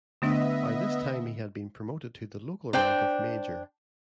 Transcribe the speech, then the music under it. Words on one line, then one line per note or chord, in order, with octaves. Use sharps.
By this time he had been promoted to the local rank of Major.
D3 A3 B3 D4 D#5 E5
D4 C5 G5